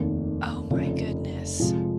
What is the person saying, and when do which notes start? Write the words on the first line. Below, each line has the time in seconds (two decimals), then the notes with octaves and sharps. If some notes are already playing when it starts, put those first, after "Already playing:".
Oh my goodness.
Already playing: F1 D#2 D#3
0.71 F1 F2 C#3
1.60 C3 F3 G#3